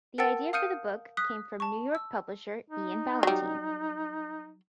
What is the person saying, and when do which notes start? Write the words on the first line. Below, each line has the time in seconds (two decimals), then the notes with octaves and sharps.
The idea for the book came from New York publisher Ian Ballantine.
0.18 A#4 F#5 G5 A5 E6 A6
0.53 F5 D#6 F6 G6 C#7 D#7
1.17 D#6 F#6 B6
1.60 A5 C#6
1.95 E6
2.70 D#4
3.23 F#3 G3